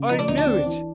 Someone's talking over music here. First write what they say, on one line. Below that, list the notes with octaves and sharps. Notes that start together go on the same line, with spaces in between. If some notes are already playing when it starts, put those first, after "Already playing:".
'I knew it!
Already playing: C#3
F3 D#4
D4
D2 D#4
D4
C4
E3